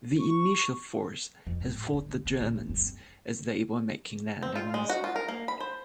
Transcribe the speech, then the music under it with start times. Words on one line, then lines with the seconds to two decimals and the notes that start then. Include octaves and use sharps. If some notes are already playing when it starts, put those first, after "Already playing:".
The initial force had fought the Germans as they were making landings.
0.19 C#6
1.47 F2
1.60 G#2
1.74 A2
1.93 D3
2.09 D1
2.26 D3
2.40 A#1
2.56 F4
2.69 G2
2.81 C4
4.42 C4
4.56 F4
4.74 G#3
4.89 F#4
5.04 F4
5.16 A#4
5.29 A#3
5.48 B5
5.60 C5